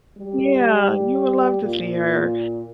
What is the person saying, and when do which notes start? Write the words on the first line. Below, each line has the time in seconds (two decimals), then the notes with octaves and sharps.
Yeah, you would love to see her,
0.18 G3
1.62 A#2